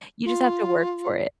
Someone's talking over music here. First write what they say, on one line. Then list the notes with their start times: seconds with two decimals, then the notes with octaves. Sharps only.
You just have to work for it,
0.25 F4